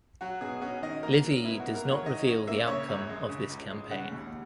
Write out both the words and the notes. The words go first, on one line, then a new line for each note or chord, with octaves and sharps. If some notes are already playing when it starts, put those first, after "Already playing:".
Livy does not reveal the outcome of this campaign.
F#3 F#4
B2 G#4
C#4 F#4
D#3 D#5
A#3 A#4
F#3
B2 E4
A#3 F#4
A#4
F#3
C#5
D#3 D#5
C#4
A#3 E5
C#3 C#5
F#2
G#3
C#3
C#2
G#3
C#3 F#5
D#2